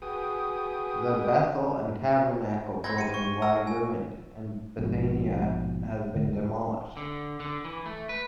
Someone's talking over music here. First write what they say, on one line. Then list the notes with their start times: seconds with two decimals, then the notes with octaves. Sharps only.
The Bethel and Tabernacl buildings lie ruined and Bethania has been demolished.
0.02 F#4 G#4 B4 G5 D#6
2.84 E3 C4 D#4 G#6 A#6
2.98 C#7 D#7
3.14 C#6
3.42 A#4 E6
3.67 G#5
4.78 A#1 G#2 B2 F3
6.14 E1 D3 A3
6.97 D3
7.40 D3
7.65 E3
7.86 A3
8.09 B4